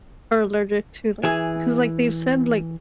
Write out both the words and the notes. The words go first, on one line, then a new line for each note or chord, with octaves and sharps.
are allergic to, like 'cause, like, they've said, like
E3 G#4